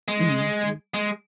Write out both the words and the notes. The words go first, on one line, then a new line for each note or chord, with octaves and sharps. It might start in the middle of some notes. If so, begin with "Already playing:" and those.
Mhm mm.
G#3
G#3